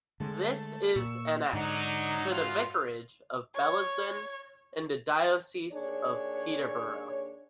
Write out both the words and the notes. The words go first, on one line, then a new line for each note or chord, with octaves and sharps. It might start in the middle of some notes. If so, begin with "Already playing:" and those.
This is annexed to the vicarage of Billesdon, in the diocese of Peterborough.
D3 G#3 A3
A#2 C#6 E6
G#2 D3 F#3 D#4
E2 F4 F#4 F5
C#5
D#2 D4 G#4 C#5